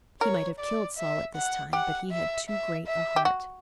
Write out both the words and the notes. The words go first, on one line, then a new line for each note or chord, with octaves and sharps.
He might have killed Saul at this time, but he had too great a heart.
A#4 C#5
D5
E5
F#5
G4 F#5
E5
E5
E5
G4
F#4